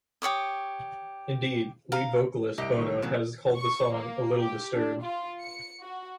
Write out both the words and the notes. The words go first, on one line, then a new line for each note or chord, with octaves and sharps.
Indeed, lead vocalist Bono has called the song "a little disturbed".
G4 C#5 D6 D#6
F5 A#5
C2 G4 D#5 E5 D7
D#3 C#6
A#2 C#3 F#3 C4
C#6
A#3
G4
D4
F4
C#7
F#4